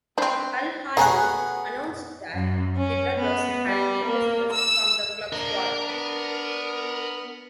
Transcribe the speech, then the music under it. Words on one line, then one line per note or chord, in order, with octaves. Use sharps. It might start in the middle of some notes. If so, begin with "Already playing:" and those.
Al-Ahli announced that the brothers had been dismissed from the club squad.
C4 D4 B4 C5
A3 B3 C#4 G#4 F#5 A#5
F#2
C#4
B3
G3
A#3
E6
F3 A#3 D4 A#4
B3